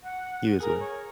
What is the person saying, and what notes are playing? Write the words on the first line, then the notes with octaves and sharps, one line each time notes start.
You as well.
F#5
G#4 A#4
C#5